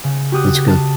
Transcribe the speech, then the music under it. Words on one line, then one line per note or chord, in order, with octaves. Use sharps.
That's good.
C#3
F#4 G4 D#6 F#6
A5